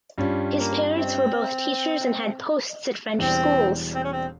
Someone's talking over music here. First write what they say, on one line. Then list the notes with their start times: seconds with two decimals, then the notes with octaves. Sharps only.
His parents were both teachers and had posts at French schools.
0.18 G2 G3 C#4 F4
0.56 A#3
0.92 C4
3.19 E1 E2 E3 G3 C4
3.95 C4
4.04 C#4
4.13 C4